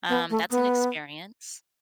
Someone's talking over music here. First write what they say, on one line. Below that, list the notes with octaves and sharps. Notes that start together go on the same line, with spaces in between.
Um, that's an experience."
B3
A3
B3